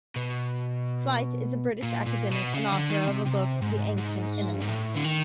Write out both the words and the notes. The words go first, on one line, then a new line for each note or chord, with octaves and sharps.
Flyte is a British academic and author of a book, "The Ancient Enemy".
B2
A#2
A#2
B2
C#3
D3
D#3
C3
C3
G#2
G#2
G2
G#2
A2
D3
D#3